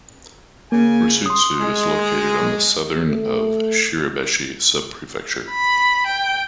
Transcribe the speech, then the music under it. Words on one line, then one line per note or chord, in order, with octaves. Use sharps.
Rusutsu is located on the southern of Shiribeshi Subprefecture.
C#3 A#3 G#5
C6 D#6
G#3
A3
B5
G5